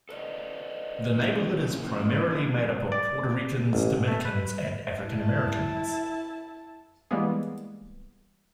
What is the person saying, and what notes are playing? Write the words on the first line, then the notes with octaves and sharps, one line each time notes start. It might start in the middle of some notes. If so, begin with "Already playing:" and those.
The neighborhood is primarily made up of Puerto Ricans, Dominicans, and African Americans.
A4 B4 D5 D#5
D#3 F3 A#3 C#4 E4
D5
A1
A3
B4
E4 A5
E3 G3 G#3 A#3 B3 G#4